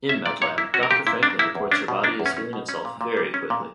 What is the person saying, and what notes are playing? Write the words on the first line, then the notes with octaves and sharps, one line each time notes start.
In Medlab, Doctor Franklin reports her body is healing itself very quickly.
C#4 E5
A#2 D5
A#2 C#5
A#3 E4
C#4 F#4
A#4
A#2 G4
A#2 E4
A#3 D4
A#3 E4
E2
C#4 D4
B2
A#3 D4
E2
C#4
C#4
B2
C#4
A#2
A#2
G3
C#4
A#2